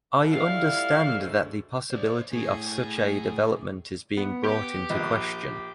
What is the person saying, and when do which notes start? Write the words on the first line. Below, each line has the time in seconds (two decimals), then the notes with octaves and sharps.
I understand that the possibility of such a development is being brought into question.
0.20 B2 D3 E3 F3 G3 B3
0.31 A2 G3 E4 F4 F5
1.17 D2 G#2 A3
1.90 C5 D5
2.32 A3 E4 G#4
4.17 B3
4.45 G4
4.90 A#1